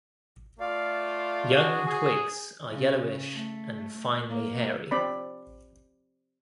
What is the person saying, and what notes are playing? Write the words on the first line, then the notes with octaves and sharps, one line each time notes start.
Young twigs are yellowish and finely hairy.
A3 F4 D5 F5
D4 F#4 G#4
G#4
C#3
A3
A#3
C4 D5 B5